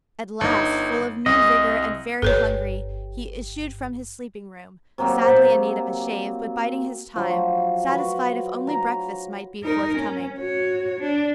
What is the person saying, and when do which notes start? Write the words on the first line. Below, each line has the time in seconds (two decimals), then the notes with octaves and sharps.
At last, full of new vigor and very hungry, he issued from his sleeping-room, sadly in need of a shave, but biding his time, satisfied if only breakfast might be forthcoming.
0.41 G1 D#4
1.26 C2 D#5
2.22 G1 G2 A4 B4 C#5
4.98 C3 F#3 A#3 C4
7.16 F3 F#3
7.89 F#4 B4
8.67 A#5
9.63 D#4 A#4
9.97 C#4
10.38 F#4 C#5
11.00 D4